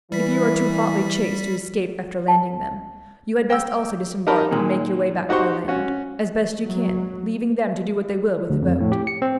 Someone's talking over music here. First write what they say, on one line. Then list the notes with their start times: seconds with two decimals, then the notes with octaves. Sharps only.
If you are too hotly chased to escape, after landing them, you had best also disembark; and make your way back by land, as best you can, leaving them to do what they will with the boat.
0.12 E3 G3 B6
2.28 A5
3.50 G5 E6
4.27 D#4 G4 A#4 A5 B5
4.51 A#2 D#3 G#3
5.29 D#4 F#4 G4 C5 C#6
5.68 C#4 F#4
6.65 F#3
8.50 D2
8.62 F2
8.80 A2
8.92 G4
9.07 C#7
9.22 C4